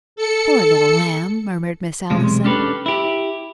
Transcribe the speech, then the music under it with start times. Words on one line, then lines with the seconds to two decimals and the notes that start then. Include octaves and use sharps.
"Poor little lamb," murmured Miss Allison.
0.16 A4 C#7
2.10 B1 E2 C3 G#3
2.44 C#4 D4 G4 A4 B4
2.86 E4 G4